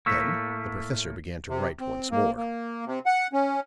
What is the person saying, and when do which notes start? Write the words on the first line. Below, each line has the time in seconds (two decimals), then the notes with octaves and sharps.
Then the professor began to write once more.
0.06 A2 A3 A#3 C#6 E6 B6
1.49 C3
1.80 C4
2.11 A#3
2.37 A#3
2.86 C3
3.06 F#5
3.33 C#4